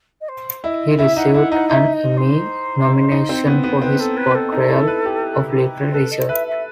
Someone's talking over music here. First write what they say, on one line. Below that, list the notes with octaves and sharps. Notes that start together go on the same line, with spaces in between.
He received an Emmy nomination for his portrayal of Little Richard.
D#5
C5
E4 D#5
E4 E5
D#4 F#5
E4 F#5
D#4 F#5
D#4 E5
D#5
C5
D#4
C4
B3
B3
C4 B4
A4
B4
A4
D#4
E4
B4
G4
C5
A4 B4
D#5
B4 E5
E5